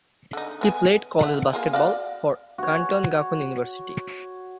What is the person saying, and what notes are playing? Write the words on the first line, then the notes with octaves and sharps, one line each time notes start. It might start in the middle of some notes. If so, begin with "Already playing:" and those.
He played college basketball for Kanto Gakuin University.
D3 D#4
B3 C#5 G#5
D3 A3 F#5
A#3 F4 G#4
F#4 D5 F5
F#4 C#5